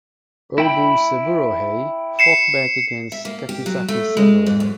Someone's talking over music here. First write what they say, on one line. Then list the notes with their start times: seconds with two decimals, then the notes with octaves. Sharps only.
Obu Saburohei fought back against Kakizaki's samurai.
0.58 E4 G5 B5
2.19 C7 C#7 E7
3.12 E5
3.25 A#3
3.49 G4
3.66 F#3
3.88 A3
4.17 G#3
4.46 G#2
4.60 F#2